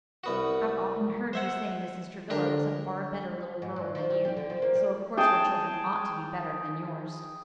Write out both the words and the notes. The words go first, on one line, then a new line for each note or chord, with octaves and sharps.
"I've often heard you say Mrs. Travilla was a far better little girl than you; so of course her children ought to be better than yours."
C2 B3 F#4
C5 E5 F#5
D3 D4 G4 A#4
G#2
G2
F3
G3
G4
D3
F3
A#3
G3
G#4 G5 A5